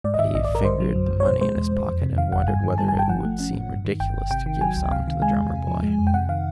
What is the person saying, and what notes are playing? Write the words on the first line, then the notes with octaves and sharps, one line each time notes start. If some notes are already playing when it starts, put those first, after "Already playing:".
But he fingered the money in his pocket and wondered whether it would seem ridiculous to give some to the drummer boy.
G#2 D5
D#5
D#3 E5
A#1 D#5
D5
A#1
A#4
D3 C5
F#3
F#2
F#2
C#5
B2 C5
G#3 C5
E2
E2
F2
C3
D#3 F5
G1 F#5
G2 G#5
D#3
G3 A5
G#5
G1
G5
F3 F#5
A3
C#4
A2
G2
D#3
G1 G5
G1
C3 G5
D#3
F#3 G#5
C#2
C3 F5
D#3
G#3 G#5
E2
C3
F3
G#3
F2
G5
C3 F#5
D#3 F5